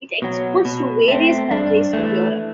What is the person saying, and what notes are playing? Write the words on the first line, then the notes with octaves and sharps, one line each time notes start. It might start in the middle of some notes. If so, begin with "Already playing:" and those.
It exports to various countries in Europe.
B2 F#3
B2
A3 C4
G2 D4
E3 A3